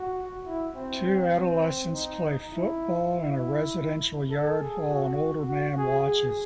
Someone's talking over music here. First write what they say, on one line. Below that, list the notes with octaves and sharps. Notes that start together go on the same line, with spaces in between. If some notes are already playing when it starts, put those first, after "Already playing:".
Two adolescents play football in a residential yard while an older man watches.
Already playing: F#4
E4
C4
C4
D#4
E4
E4
A4
G#4
F#4
F#4
G#4
G#4